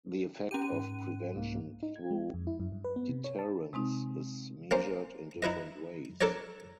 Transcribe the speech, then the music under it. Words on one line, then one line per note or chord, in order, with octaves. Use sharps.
The effect of prevention through deterrence is measured in different ways.
C#4 G4 G5 A#5 D#7
G#2
C2 G#2 A#3
D#4
G#6
G#3
F2
E4
F#2
G2
B4
B3
C3
C#5
A5
C3 G#3 C4 D#4
A#3 C#4 C5
D#4 E4 B4 D#5
D4 A4 A#4 C#5 D5